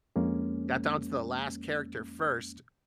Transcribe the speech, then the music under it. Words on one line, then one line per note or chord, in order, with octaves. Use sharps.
got down to the last character first,
F2 G#3 A#3 C#4